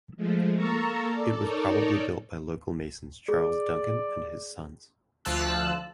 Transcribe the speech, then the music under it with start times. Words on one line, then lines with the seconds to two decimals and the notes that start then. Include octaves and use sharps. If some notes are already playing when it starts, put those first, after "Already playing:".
It was probably built by local masons Charles Duncan and his sons.
0.17 F3 G#3 A3
0.55 A#3 A4 A#4 A5 A#5 C#6
1.09 A4 D5
1.39 D#4 A4 A#4 C#5 D5
3.28 G#4 D5
5.25 D2 F3 F4 A5 E6 F#6